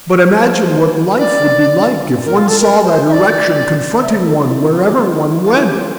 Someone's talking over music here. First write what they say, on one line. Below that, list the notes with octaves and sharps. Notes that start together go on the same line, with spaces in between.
But imagine what life would be like if one saw that erection confronting one wherever one went.
C5
D5
A#4
F4
A4
A#4
C5
E5
D5
E5
C5
A4
F4
E4
E4
F4
G4
F4
E4
E4
F4
E4
G4
F4